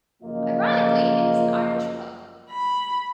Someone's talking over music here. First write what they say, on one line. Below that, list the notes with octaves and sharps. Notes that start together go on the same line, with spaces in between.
Ironically it is an Irish pub.
F#2 C#3 F3 A#3 F4 D#5
B5